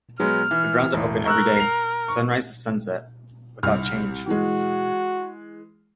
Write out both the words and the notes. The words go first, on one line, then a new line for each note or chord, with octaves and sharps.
The grounds are open every day, sunrise to sunset, without charge.
F#3 G#3 B3 F6
E3
E1 A2
A#4 C#6 E6 F#6
C7 F7
C#6
C2 F6
E3 G#3 F#4